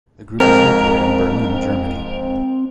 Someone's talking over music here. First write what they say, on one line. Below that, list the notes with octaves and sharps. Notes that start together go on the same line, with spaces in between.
The group is located in Berlin, Germany.
F2 G#2 C4 A#4